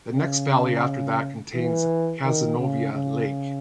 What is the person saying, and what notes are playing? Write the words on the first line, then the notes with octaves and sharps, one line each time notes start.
The next valley after that contains Cazenovia Lake.
C#3
E3
D#3
C#3
C#3